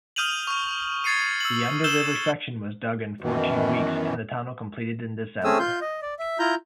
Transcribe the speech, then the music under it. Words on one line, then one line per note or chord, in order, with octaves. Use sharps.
The under-river section was dug in fourteen weeks and the tunnel completed in December.
D#6 F6 G6 D#7 F7 F#7
C#6 F6
G#6 A6 C7 C#7 D#7
E6 F#7
E6 G6 E7 F#7 G7
F#2 B2 D#3 E3
A3 C4 C#4 G#4 D#6 E6
F4 C6 G6
D#5
D5
E5
E4 F4 A#5 G6